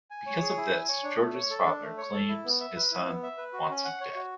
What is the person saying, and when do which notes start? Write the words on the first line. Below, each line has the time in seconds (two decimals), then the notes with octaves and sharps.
Because of this, Georg's father claims his son wants him dead.
0.10 G#5
0.26 C#5
0.42 G#4
0.57 E4
0.73 G#5
0.89 C#5
1.03 D4
1.19 A3
1.34 C#5
1.50 A4
1.66 D4
1.81 A3
1.98 C#5
2.13 A4
2.28 E4
2.45 B3
2.60 E5
2.76 B4
2.91 E4
3.07 B3
3.23 E5
3.37 B4
3.53 F#4
3.69 C#4
3.84 F#5
4.01 C#5
4.15 F#4